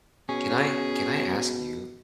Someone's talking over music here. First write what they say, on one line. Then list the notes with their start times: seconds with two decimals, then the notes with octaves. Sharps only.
can I can I ask you,
0.29 B2 C#4 G#4